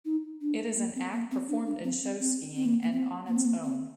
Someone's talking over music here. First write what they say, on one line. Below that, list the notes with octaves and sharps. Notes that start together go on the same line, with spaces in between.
It is an act performed in show skiing, and on its own.
D#4
D4
A#3
C4
A#3
C4
D4
D4
C4
C4
C4
C4
A#3
A#3
C4
A#3
C4
A#3
C4